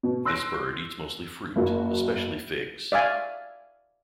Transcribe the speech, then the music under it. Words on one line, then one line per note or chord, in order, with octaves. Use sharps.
This bird eats mostly fruit, especially figs.
B2
C6 E6 F#6 A#6 D7
F#1 A#3 F#4
D5 E5 F5 G#5